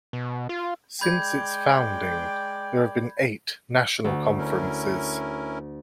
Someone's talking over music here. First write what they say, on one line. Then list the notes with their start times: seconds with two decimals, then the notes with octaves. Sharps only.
Since its founding, there have been eight national conferences.
0.13 B2
0.49 F4
1.01 G#3 D5 G5 B5 G6 G#6
4.04 D2
4.38 C#4 E4 A#4